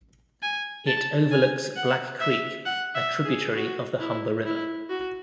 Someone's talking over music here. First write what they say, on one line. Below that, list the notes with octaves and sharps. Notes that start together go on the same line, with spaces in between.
It overlooks Black Creek, a tributary of the Humber River.
G#5
A5
G#5
F#5
E5
F#5
E5
G#4
F#4
E4
E4
F#4